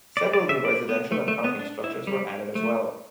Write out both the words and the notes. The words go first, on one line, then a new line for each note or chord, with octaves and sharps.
Several new residential and parking structures were added as well.
D5
D5
E5
D5
B3
A3
A3
B3
D4
E4
G3
A3